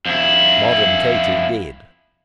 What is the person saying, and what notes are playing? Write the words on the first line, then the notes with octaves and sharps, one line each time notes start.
Modern Katie did.
F2 E4